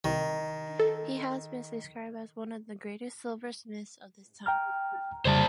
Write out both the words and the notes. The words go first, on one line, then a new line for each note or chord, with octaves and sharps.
He has been described as one of the greatest silversmiths of his time.
C2 D#3
A4
G5 A#5 F6
F2 C#3 G3 C5 D5 A5